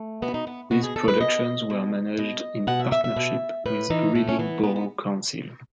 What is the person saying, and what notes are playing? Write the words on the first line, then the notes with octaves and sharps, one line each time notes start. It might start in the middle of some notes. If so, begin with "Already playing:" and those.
These productions were managed in partnership with Reading Borough Council.
Already playing: A3
B2 B3
D#4
B3
B2 F#4
G#4
A4
B4
B2 D#5
B2
B2 D#5
B2 F#5
E5
E5
E5
B2
A2 B4
E3 D#4
A2 A3
C#4
E3 B3
B2 B3
B3